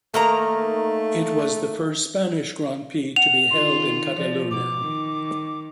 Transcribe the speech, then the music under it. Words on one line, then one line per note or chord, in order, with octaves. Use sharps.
It was the first Spanish Grand Prix to be held at Catalunya.
D#3 A3 A#3 A#5
F#5 F7
D#3 F4 C6
F3 D5
B2 D6
D#3